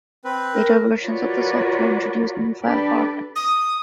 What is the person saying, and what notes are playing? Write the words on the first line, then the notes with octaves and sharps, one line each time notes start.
Later versions of the software introduced new file formats.
C4 B4
A#4
F4 F#4 A#4 B4 C#5 D5
D4 G4 A4 B4 D5
D#6